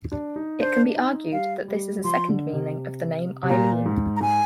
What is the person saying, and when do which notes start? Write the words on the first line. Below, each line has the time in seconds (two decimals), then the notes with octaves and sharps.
It can be argued that this is a second meaning of the name Eileen.
0.12 D4
0.36 D#4
0.60 D4 C5
0.96 D#4
1.32 G3 F5
1.68 G3
2.04 F3 C6
2.29 D3
2.53 C3
3.43 C3
3.49 A#2 A#5
3.86 G#2
4.16 A#5
4.21 G#2 G#5